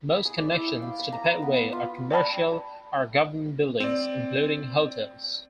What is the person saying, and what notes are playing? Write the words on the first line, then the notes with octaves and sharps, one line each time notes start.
Most connections to the pedway are commercial or government buildings, including hotels.
B5
G#4
D5
E4
G5
F5
B5
A#5
B4
B3
B4
F4
D5 G5 A5 B5
C4 D5